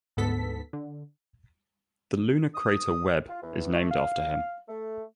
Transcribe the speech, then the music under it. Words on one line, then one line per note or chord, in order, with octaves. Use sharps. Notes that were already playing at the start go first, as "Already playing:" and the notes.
The lunar crater Webb is named after him.
D2 G#2 B3 A4 B6
D3
D#6
F4
E2
A3
F5
A3